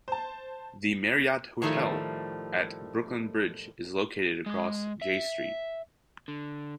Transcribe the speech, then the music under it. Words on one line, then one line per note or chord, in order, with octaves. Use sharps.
The Marriott Hotel at Brooklyn Bridge is located across Jay Street.
C5 A5
A2 D#3 F3 G3 A3
G#3
E5
D3